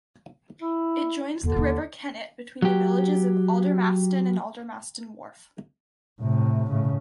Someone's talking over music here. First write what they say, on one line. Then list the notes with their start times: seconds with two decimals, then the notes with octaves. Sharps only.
It joins the River Kennet between the villages of Aldermaston and Aldermaston Wharf.
0.61 E4
1.43 D#2 D3
1.56 D#2 D#4
2.62 F#3 G4
6.21 A2 C3
6.70 A2 C#3